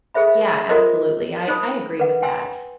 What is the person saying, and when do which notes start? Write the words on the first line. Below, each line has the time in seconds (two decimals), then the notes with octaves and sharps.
Yeah, absolutely. I I agree with that.
0.14 G#4 A4 C5 E5 B5
0.69 F4 F#4 A4 A#4 C5 D#5
1.47 D#4 C5 B5 D#6
2.00 B4 F#5
2.22 G5 G#5 C6 E6